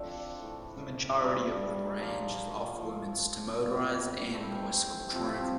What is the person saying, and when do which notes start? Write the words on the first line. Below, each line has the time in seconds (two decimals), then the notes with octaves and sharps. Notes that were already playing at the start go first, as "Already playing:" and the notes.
The majority of the range is off-limits to motorized and bicycle travel.
Already playing: F3 A3 C4 D4 A4
0.39 A2 E3 A3
1.19 G3 D4 F4 A4
1.96 A#2 F3 A#3
2.76 A2 F3 A3
3.54 A#2 G3 C4 F4
4.33 A3 E4 G4 C5
5.12 C3 F3 C4 F4